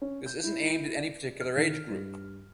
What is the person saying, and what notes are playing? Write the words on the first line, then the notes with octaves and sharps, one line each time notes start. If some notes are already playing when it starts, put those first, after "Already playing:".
This isn’t aimed at any particular age group.
C#4
G6
E4
D5
F6
D#3
G2